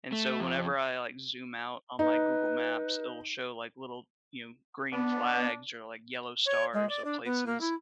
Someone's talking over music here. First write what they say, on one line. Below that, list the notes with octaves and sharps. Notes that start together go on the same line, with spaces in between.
and so whenever I, like, zoom out on my Google Maps, it'll show, like, little, you know, green flags or, like, yellow stars of places
A3
F2
D#4 B4
B3 D4
C#5
G#3
D5
D4
B3
A#3
E4